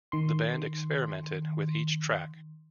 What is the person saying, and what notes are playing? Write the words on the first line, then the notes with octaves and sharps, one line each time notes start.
The band experimented with each track.
D#3 C6